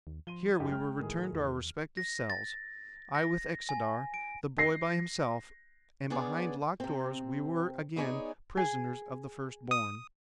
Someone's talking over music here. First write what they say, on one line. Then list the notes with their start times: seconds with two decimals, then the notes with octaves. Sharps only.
Here we were returned to our respective cells; I with Xodar, the boy by himself; and behind locked doors we were again prisoners of the First Born.
0.07 D#2
0.27 F3 C6 D#7 G7
0.60 F#2 D#4 G4
0.72 G#3 G5 F6
0.98 A2 D#3 G#4
1.33 E2
1.97 A#6
2.30 A6
3.15 A#6
3.69 G#5
4.14 D7
4.58 A#6 C7
6.10 B3 D4 G#4 C#5 D5
6.80 C3 C4
7.96 B3 D#4 G#4 C#5 D5 G#5
8.57 G#4
9.71 D#6